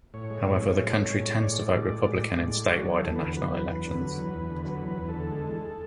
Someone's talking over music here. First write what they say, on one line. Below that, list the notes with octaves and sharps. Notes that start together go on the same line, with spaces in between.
However, the county tends to vote Republican in statewide and national elections.
A2 C#5
G#3
A2
G#3
A2
G#3
A2
G#3
A2 D5
G#3
A2
G#3
A2
G#3
A2
G#3
F#3 C#5
E2 A4
E2
D3 B4
F#3 B4
E2
E2
D3
F#3
E2
E2
D3
F#3 B4
E2
B4
E2
A4
D3
G#3
E2